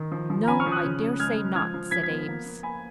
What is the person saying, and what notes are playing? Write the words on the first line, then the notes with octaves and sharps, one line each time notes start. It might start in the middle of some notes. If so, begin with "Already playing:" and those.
"No; I dare say not," said Eames.
Already playing: D#3
F3
F3
A#5
C#4 G#5 B5
C#6 F6
F3
D#6 F#6
C#3
C#4
G#3 F6 G#6
G#3
F3 F6 G#6
F3
F3 G#6 B6
G#6 B6
B3
A#3
A#3
A#3 G#5 B5